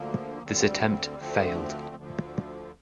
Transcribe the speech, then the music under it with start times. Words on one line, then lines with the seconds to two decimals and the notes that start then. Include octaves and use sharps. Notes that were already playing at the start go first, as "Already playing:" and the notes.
This attempt failed.
Already playing: D2 D3 F3 A#3
0.42 D2 D3 G3 C4
1.19 D2 D3 F3 A3 C4
1.95 D2 D3 F3